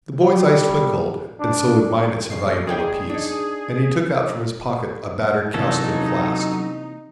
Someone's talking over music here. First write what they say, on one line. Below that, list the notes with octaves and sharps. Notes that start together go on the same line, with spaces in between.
The boy's eyes twinkled, and so would mine at so valuable a piece, and he took out from his pocket a battered cowskin flask.
G3
D4
F2 A#2 C#3 C7
C#2 G#4 D5 G5
D4 D#4
C3 E3 F#3 A#3 C#4 D#4 A4